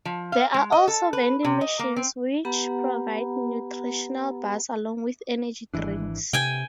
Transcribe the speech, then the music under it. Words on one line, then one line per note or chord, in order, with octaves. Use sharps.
There are also vending machines which provide nutritional bars along with energy drinks.
F3
F5
G#3
D#5
A4
B4
C3
D#5
A#3
C4
B3 G4 B4 F#5 A#5 B5
G#1 E3 D4
C3 G5 G#5